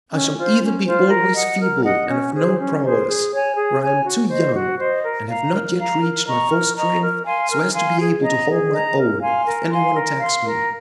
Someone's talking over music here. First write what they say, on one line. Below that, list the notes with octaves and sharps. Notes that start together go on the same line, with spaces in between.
I shall either be always feeble and of no prowess, or I am too young, and have not yet reached my full strength so as to be able to hold my own if any one attacks me.
C#4
F4 C5
C#4
F4 C5
A#4
D#5 F#5
A#4
D#5 F#5
C#4
G#4 C5
C#4
G#4 C5
G#4
C#5 G#5
G#4
C#5 G#5
F#4
C5 D#5
F#4
C5 D#5
A#4
F5 A#5
A#4
F5 A#5
A#4
D#5 A#5 C#6
A#4
D#5 A#5 C#6
A#4
F5 G#5 C6
A#4
F5 G#5 C6
G#4
D#5 A#5
G#4
D#5 A#5
A#4
F5 G#5 C6
A#4
F5 G#5 C6
A#4
F5 C6
A#4